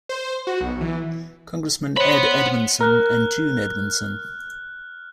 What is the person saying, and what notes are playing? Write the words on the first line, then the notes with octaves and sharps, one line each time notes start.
Congressman Ed Edmondson and June Edmondson.
C5
F#4
B1
E3
C5 C#5 F#5 B5 C6
A#4 F6 F#6